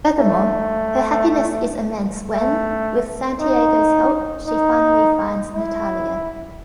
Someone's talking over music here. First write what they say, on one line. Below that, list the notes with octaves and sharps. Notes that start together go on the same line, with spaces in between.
Furthermore, her happiness is immense when, with Santiago's help, she finally finds Natalia.
A3
A3
D#4
D#4
E4